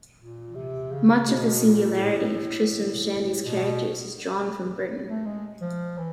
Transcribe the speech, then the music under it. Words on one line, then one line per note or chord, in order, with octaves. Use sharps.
Much of the singularity of "Tristram Shandy's" characters is drawn from Burton.
A#2
C3
C#3
B2
A#2
A2
B2
A3
G#3
F3
E3